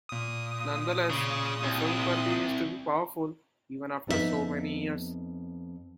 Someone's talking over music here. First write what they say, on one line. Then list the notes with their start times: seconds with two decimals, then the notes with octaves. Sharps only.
Nonetheless, the film continues to be powerful even after so many years.
0.09 A#2 D#6
1.10 C#3
1.63 C2
4.07 F2 B3 D#4 F4 E5